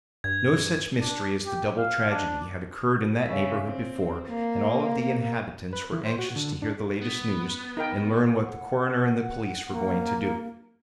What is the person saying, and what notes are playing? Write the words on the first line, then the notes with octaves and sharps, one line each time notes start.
No such mystery as the double tragedy had occurred in that neighborhood before, and all of the inhabitants were anxious to hear the latest news and learn what the coroner and the police were going to do.
G2 G#6
D4
G4
F5
D4
C#3 E5
C4
A#3
B4
E3
C5
F#4
D3
D4
B3
D#4 A#4 G5
F#5
A#3